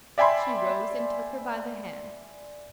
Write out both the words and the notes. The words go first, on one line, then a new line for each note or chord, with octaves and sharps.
She rose and took her by the hand.
D5 E5 G5 G#5 B5 C6